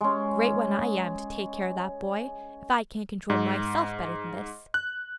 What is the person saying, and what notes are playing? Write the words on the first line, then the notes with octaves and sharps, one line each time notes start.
"Great one, I am, to take care of that boy, if I can't control myself better than this!"
G#3 C#4
G#2
F#6